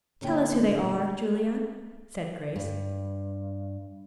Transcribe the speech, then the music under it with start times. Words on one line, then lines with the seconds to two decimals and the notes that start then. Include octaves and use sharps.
"Tell us who they are, Julia," said Grace.
0.21 A#2 D3 C#4 E4 G5
2.56 G2